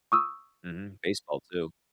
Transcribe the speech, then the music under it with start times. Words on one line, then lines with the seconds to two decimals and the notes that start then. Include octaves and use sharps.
Mhm, baseball too.
0.12 C#6 D#6 E6